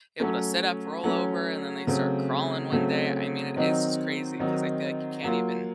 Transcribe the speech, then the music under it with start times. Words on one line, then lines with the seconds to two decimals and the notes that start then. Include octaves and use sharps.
able to sit up, roll over, and then they start crawling one day, I mean, it is just crazy ‘cause I feel like you can't even
0.20 F#3 A3 C#4
1.04 F#3 A3 C#4
1.87 C#3 F#3 A3 C4
2.72 C#3 F#3 A3 C4
3.56 D#3 F#3 C4 D#4
4.40 D#3 F#3 C4 D#4
5.24 F#3 A#3 F4